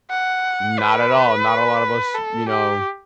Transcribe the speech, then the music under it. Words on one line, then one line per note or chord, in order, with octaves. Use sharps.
Not at all. Not a lot of us, you know,
F#5
B4
A4
G4